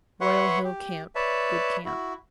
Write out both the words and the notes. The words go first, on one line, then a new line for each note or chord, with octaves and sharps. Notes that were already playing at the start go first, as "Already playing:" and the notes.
Royal Hill Camp.--Good camp.
B4 C#5 E5 F#5 C6 C#6
G4
B4 C#5 D5 E5 A5
E4 F#4